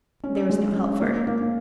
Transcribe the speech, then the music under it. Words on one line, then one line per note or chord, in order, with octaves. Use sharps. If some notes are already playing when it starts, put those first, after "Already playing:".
There was no help for it.
C#4
G#3
C#4
A#3
A#3